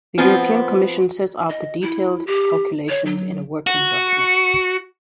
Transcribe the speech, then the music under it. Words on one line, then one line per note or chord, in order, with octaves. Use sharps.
The European Commission sets out the detailed calculations in a working document.
F3 B3 C4 F4
D#5
E4
G4
C#5
F#3
F#4